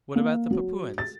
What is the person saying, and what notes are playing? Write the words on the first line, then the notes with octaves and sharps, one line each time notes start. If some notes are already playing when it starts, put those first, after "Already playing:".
"What about the Papuans?"
A#3
F#3
A6